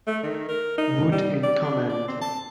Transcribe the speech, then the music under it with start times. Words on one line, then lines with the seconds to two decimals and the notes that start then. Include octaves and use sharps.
Wood in command.
0.07 A3
0.23 D#3
0.49 A#4
0.78 D#4
1.12 G3
1.44 D5
1.63 D4
1.89 D5
2.08 C4
2.21 A5